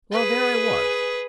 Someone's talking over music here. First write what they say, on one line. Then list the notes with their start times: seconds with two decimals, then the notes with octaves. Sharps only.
Well, there I was.
0.12 G#4 B4